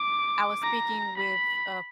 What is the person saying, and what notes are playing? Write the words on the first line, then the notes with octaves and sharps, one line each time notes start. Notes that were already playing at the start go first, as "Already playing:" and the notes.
I was speaking with a
Already playing: D6
A#5
B5